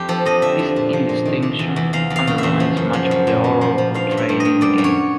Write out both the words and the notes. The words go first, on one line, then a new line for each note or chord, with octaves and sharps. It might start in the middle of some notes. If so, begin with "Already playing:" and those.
This indistinction underlines much of the horror portrayed in the game.
Already playing: F2 G4
F3 A4
F2 D#5
D3 E5
F3
A#2
F3
A#2
D#3
C3
E2
E2
E2 F5
E2
F5
C#3
E2 E5
F3
F#2
F3
F#2
A#2
A#2
F3
F3
G2 F5
G2
E5
G2
G2 D#5
F#2 D5
F#2
C#5